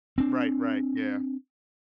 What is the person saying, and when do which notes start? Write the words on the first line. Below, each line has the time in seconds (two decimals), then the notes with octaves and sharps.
Right, right, yeah.
0.18 C4 D4